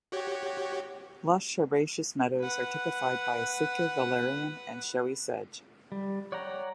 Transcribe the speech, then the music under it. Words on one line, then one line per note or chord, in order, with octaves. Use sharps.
Lush herbaceous meadows are typified by Sitka valerian and showy sedge.
F#4 G4 C#5
B4 F#5
G3
C#5 D5 F#5 G5 A#5